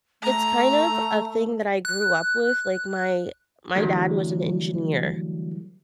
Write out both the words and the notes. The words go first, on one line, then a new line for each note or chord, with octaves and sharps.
it's kind of a thing that I grew up with, like, my my dad was an engineer.
A3 A#5
F#6
D3 E3 F#3 G3 A3